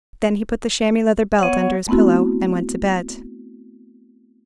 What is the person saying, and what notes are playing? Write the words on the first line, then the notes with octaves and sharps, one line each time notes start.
Then he put the chamois-leather belt under his pillow, and went to bed.
B3 C#5 F#5
A3 B3 C4 E4 F#4